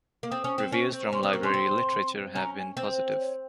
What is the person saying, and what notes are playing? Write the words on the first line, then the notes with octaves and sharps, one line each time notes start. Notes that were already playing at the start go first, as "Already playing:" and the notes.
Reviews from library literature have been positive.
A#3
C4 D#6
C#4
C4
C#4 C#6
C4
A#5
C#4 C6
C4 D#6
A#3 C#6
C#4 C6
C4
C#4 A#5
G#5
C4 C5
C#5